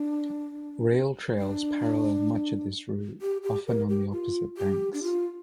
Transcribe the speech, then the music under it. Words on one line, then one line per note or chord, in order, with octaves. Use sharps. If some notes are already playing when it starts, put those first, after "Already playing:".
Rail trails parallel much of this route, often on the opposite banks.
Already playing: D4
D4
G4
G4
A#4
G4
F4
G4
D4
F4